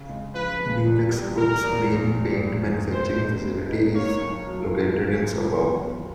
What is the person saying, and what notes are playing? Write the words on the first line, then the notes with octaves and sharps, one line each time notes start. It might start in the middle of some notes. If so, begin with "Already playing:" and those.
DuluxGroup's main paint manufacturing facility is located in the suburb.
Already playing: C#3
G#3
F3 B4
G#3
E2
G3
E2 A#4
E2
F1
G3
F1
F1
B3 C5
D#4
B3
D#4
A#3 C#5
B1
F#3
A2